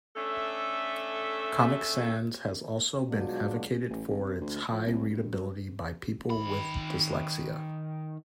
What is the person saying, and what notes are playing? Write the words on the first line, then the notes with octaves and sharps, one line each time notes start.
Comic Sans has also been advocated for its high readability by people with dyslexia.
A3 C#4 D4 A4 E5
B2 F#3 G#3 D4 F4 F#4
A1
G#1
C3
D2
F3
C2
G2
F#3
D#3 B5